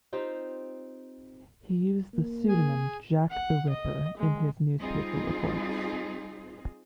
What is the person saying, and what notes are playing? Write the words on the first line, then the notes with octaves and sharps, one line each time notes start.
He used the pseudonym Jack the Ripper in his newspaper reports.
C4 D#4 F4 G4
A#3
G#4 G#5
F#5
D#5
G#3
G3 C4 D#4 F4 G#4